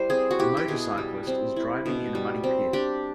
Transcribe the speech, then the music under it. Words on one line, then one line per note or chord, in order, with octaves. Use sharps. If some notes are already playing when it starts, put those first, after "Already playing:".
A motorcyclist is driving in a muddy pit.
Already playing: G3 E4 C5
C4 G#4
F#4
E4 G4
G4
B2 G#4
G3
C4
E4
B2
G3
C4
D4 G4